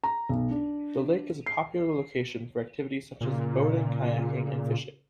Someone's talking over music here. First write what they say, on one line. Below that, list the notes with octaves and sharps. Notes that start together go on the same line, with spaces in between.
The lake is a popular location for activities such as boating kayaking and fishing.
A#5
B1
D4
C7
A#2 C#3